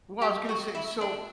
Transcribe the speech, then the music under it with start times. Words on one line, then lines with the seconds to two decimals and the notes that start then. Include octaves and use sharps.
Well, I was gonna say so
0.22 G4
0.49 F#4
0.75 E4
1.01 D4